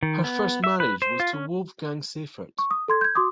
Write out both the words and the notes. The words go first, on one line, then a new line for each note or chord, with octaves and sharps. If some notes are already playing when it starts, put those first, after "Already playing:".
Her first marriage was to Wolfgang Seyfert.
D#3
B3
E5
B4
C5
F4
C#4
C#6
D#6
A4 C6 G#6
G6 G#6
F#4 C6 D6 D#6